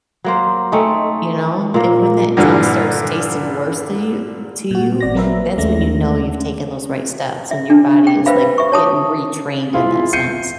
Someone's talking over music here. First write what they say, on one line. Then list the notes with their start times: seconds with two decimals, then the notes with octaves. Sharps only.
you know? And, when that junk starts tasting worse to you to you, that's when you know you've taken those right steps and your body is, like, getting retrained in that sense.
0.24 F#3 A#3 C5
0.72 A3 C4 C#4 D#4
1.74 A#2 A#3
2.37 G2 A#2 D3 E3
4.71 A#2 F#4
5.01 A1 D5 A#6
5.15 F#3 A#3 C4 A#4 B4 E5
5.57 D#2 G#3 A3 C#4 A#6
7.51 E5
7.70 D4
8.07 G5
8.26 B4 C5 E5 F5 B5
8.58 E5 C#6
8.72 C#5 A5 D#6
9.73 E4 F4 G#4
10.13 G6 C7 C#7 D#7